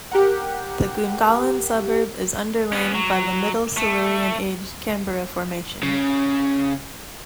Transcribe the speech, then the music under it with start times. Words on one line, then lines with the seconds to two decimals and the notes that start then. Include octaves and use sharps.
The Gungahlin suburb is underlain by the middle Silurian age Canberra Formation.
0.12 G4 A#4 F#5
2.72 B3 C#4
2.94 F#3
3.77 A3
5.83 C#3